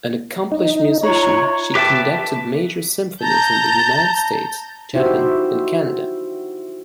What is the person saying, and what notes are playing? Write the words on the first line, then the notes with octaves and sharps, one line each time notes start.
An accomplished musician, she conducted major symphonies in the United States, Japan, and Canada.
D#4 D#5
E4 F4 C#5 A#5 F#6
G4 B4 E5 G5 A5
A5 A#5 G6
D#4 E4 F#4 G4 C5 E5